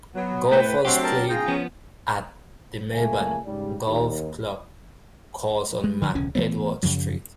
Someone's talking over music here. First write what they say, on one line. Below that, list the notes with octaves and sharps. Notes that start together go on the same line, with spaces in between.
Golfers play at the Merbein Golf Club course on McEdward Street.
F#3 B3
A2 A3 E4 B4 G5
F#3 A3 C4 D4 F#4 G4 C6
A#4 A5
G#2 C#3 F4 G#4 G5 A#5
F3 B3 C#4
C#2 A3 A#3 G#5
G#2 C#3 G3
D#2
G#3
D3 F3
E1 C#2 D3 C#4
E3 F#3 A3 B3
F#2 C#3 F3 F#3